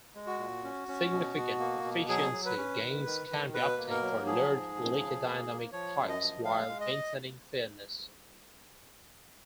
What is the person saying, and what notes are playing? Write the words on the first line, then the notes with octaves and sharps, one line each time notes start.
Significant efficiency gains can be obtained for large leaky dynamic pipes, while maintaining fairness.
G#3
F#4
A#2
C#4
C#4
B2
B2
A#3
B2
F#3 G#4
F#3
B4
C#4
D#3
D#3
D#3
B2 B4
A#3
A#4
F#3
F3 G#4
G#2
F3
C#3
A#3
A#3
F3 C#5
F#2
D#5
F3
G#3 F5
G#3
D#5